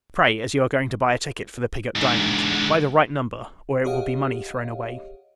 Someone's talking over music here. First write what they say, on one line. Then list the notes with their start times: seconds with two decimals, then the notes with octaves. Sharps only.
Pray, as you are going to buy a ticket for the Pigot diamond--buy the right number, or it will be money thrown away.
1.96 G#2 D3
3.85 G4 G#4 C#5 D#5 F5 F#5